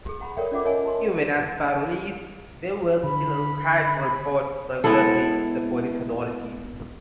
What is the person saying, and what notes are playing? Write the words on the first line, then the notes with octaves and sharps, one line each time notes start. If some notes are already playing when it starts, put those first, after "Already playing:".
Even as parolees, they were still required to report regularly to the police authorities.
G4 G#4
F#5 A#5 B5
A4 A#4 C#5 D5 E5 G5
C#4 F4 D5 E5 F#5 D6
A#4 C#5 D#5 E5 G#5
A5 C6
D3 B5
G#3 B3 E4 A4